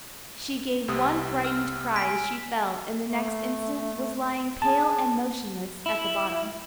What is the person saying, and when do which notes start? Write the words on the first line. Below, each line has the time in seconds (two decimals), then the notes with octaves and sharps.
She gave one frightened cry as she fell, and the next instant was lying pale and motionless at the bottom.
0.88 C2 C3 D#6
1.44 E6 F6
1.96 G#5 B6 D7
3.03 A3
4.62 G#4 A5
5.86 E4